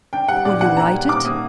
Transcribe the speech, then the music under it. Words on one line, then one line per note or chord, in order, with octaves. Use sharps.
"Will you write it?"
D4 G5
G3 F#5
A#2 D5
A#3 F#5
D4 A#5
G3
A#2 D6
A#3 D#6